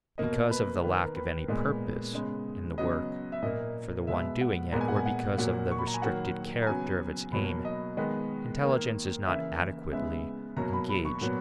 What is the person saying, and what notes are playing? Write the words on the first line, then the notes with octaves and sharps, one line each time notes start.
Because of the lack of any purpose in the work for the one doing it, or because of the restricted character of its aim, intelligence is not adequately engaged.
B2 A#3 D#5
B4
D#3 A#3 B4
A#4
B4
A#2 G#3 B3
C#3 G#3 B3
C#3 F#3 B3 D#5
E5
A#2 A#3 D#5
B2 G#3 B3 E5
F#5
A#2 G#3 B3 A#5
G#5
F#5
G#5
F#5
A#2 F#3 A#3 F#5
C#6
B5
A#5
G#5
D#3 F#3 A#3 F#5
A#5
C#3 F#3 B3 G#5
B2 F#3 A#3 B5
D#5
D#3 G#3 B3
D#3 A#3
C#3 E3 A#3 E5
C#3 G#3 B3 E5
B2 F#3 A#3 A#5
B5
B5
C#6
A#2 F#3 B3